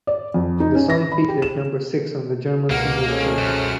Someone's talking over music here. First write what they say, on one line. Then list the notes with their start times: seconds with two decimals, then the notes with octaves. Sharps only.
The song peaked at number six on the German Singles Chart.
0.07 D5
0.34 F2
0.60 D#4
0.75 C#4
0.90 A#6
1.12 B5
1.28 G4
1.42 E7
2.70 C#2 B2 A#3 B4 F5 F#5 F6
3.09 G#3 A3 C#4 G#4 A4 C5
3.38 F#2